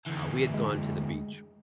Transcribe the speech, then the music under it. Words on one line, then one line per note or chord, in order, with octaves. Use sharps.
uh, we had gone to the beach,
D2 E3
G#3